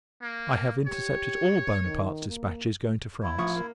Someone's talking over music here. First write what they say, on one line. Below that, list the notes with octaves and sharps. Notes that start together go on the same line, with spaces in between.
I have intercepted all Buonaparte's dispatches going to France.
A#3
G4 C#5
D#3
A#3
E4
A1 F3 C#6 D#6
A#3